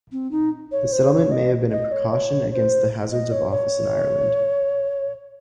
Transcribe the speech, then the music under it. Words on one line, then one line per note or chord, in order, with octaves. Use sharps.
The settlement may have been a precaution against the hazards of office in Ireland.
C4
D#4
C#5
C5
C#5
D#5
D#5
C#5
C#5
C#5
C5
D#5
C#5
C#5